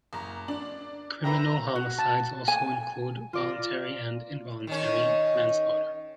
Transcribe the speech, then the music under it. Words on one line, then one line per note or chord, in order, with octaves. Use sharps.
Criminal homicides also include voluntary and involuntary manslaughter.
F#1 A#5
D4 F#7
B4 E5 G5 A#5
F#4
A5
G#5
F4 D5 A#5
D#3 C#4